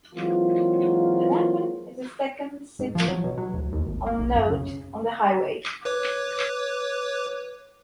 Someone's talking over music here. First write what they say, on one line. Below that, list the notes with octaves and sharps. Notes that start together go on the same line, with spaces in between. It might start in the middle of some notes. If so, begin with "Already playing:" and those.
Anapa is the second city of note on the highway.
E3 F#3 G#3 A#3 C4 F4
G#2
F3
F#3
B2
F#3
D2
D#2
G#1
A#3
B1
F#2
C#3
B4 C#5 D6